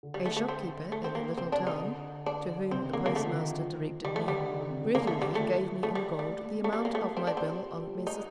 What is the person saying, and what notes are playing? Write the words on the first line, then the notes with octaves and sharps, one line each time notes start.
A shopkeeper in a little town, to whom the post-master directed me, readily gave me in gold the amount of my bill on Messrs.
D3
G3
A3
A3
C4
A3
C4
A#3
C3 C4
D4
C3
D#4
D3
D4
C3 C4
D#3
D3 A#3
A#3
D#3 A3
F3
D#3
F3
D#3 G3
A3
D3 G3
D#3
D3
C3
D3
D#3 A#3
D3 A3
D#3
G3
F3 A3
A3
G3
G3
A3
A#3
C4
A3
G3 F4
A#3
A3 G4
C4 F4
D4
C4 G4
F4
F3
G3
A3
G3 D#4